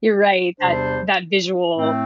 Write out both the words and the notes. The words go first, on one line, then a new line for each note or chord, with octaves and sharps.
You're right, that that visual
E2 C3 G3 D4 C5
A2 A3 C4